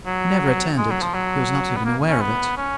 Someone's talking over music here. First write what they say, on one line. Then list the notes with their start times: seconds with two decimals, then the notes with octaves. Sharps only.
He never returned it--he was not even aware of it.
0.06 F#3
0.78 G#3
0.90 F#3
1.02 F3
1.14 F#3
1.76 B3
1.85 A#3
2.09 C#4
2.21 B3
2.57 C#4